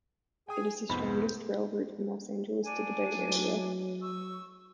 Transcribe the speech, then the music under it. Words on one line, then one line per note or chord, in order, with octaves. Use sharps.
It is the shortest rail route from Los Angeles to the Bay Area.
G#4 G5 G#5 D#6
C2 F2 G#2 B3 C5 B5
D4 G#5
F#3
C#6 E6